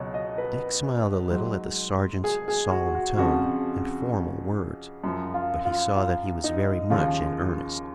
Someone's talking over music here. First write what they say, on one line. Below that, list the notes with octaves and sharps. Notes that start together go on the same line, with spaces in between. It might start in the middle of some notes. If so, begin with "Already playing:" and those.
Dick smiled a little at the sergeant's solemn tone, and formal words, but he saw that he was very much in earnest.
Already playing: C#2 B2 F#3 C#5
D#5
B4
G#2 F#3
G#4
G#4
F#4
F#4
F2 C#3 F3 F#4
F#2 F3
F4
F4
F4
D#4
D#2 C#3 F3 F4